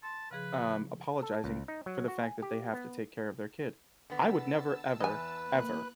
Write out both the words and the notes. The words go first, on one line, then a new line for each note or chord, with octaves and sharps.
um, apologizing for the fact that they have to take care of their kid. I would never, ever, ever,
A5 C6
C#3 F3 G#4 B4
A4
C#2
D#4
F#3
F#4
G#5
G4
B3
D3 B3 A5 E6
E2 B4 D#5 G#5
A#3 F#6